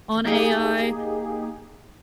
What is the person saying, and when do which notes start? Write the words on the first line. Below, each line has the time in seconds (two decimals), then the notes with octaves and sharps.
on AI,
0.25 A#3 D#4 G4 G#4